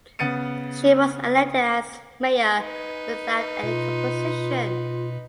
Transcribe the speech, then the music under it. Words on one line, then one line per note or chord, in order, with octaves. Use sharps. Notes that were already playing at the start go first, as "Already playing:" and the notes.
She was elected as Mayor without any opposition.
C#3 B3 A6 C#7 D#7
D#4 B4
B2 F4